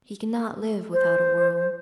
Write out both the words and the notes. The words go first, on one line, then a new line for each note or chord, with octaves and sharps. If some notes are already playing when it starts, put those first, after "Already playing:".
He cannot live without a world.
C5